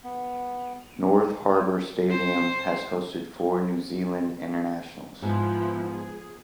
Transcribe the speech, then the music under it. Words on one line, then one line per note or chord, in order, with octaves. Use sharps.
North Harbour Stadium has hosted four New Zealand internationals.
B3
C5
G#2 F3 B3 E4
G#4